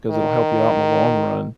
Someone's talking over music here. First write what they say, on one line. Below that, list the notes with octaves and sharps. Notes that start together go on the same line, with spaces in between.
'cause it'll help you out in the long run.
D#3